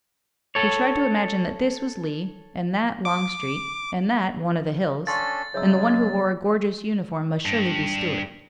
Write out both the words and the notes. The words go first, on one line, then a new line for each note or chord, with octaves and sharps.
He tried to imagine that this was Lee and that Longstreet, and that one of the Hills, and the one who wore a gorgeous uniform must surely be Stuart.
A4 C#5
D6
C#4 D4 A4 F5 C6 C#6 A6
C#3 F#3 G#3 C#5 E5 E6
G2